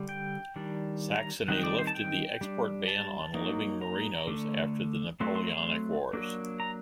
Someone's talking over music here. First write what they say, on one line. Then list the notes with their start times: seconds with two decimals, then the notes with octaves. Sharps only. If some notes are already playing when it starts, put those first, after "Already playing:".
Saxony lifted the export ban on living Merinos after the Napoleonic wars.
Already playing: D3 G3
0.09 G5
0.56 D#3 G3 D4
1.18 A#5
1.48 D#3 G3 C4 D#4 F#5
1.63 D5
1.79 C5
1.87 A5
1.94 G5
2.41 G3 D4
2.88 A5
3.34 F#3 A#3 D#4
3.81 A#5
4.27 D3 A3 D4
5.20 F#3 A3 C4 C6
5.36 C6
5.51 C6
6.13 F#3 A#3 D4
6.60 A#5